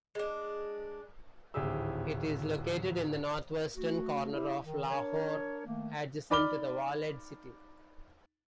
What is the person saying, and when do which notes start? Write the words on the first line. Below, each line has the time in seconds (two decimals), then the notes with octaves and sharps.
It is located in the northwestern corner of Lahore, adjacent to the Walled City.
0.15 G#3 D4
1.54 D1 G#1 E4 G4 G#4 E6
3.76 A3 F#4
4.33 E4 G4
4.63 D#3
4.90 D4 A#4 C#5
5.66 D#3 A3 A#3
6.30 D#4 D5 B5 D6 F6 G7